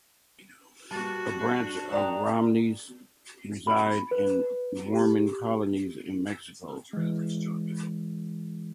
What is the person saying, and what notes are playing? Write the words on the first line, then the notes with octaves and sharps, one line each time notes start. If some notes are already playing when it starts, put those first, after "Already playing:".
A branch of the Romneys reside in the Mormon colonies in Mexico.
G3 A#3 F#4 A5 A6
G3
F2 D4
D5 G5 A#5 D#6 F7
B5
B4
G4
E3 G#3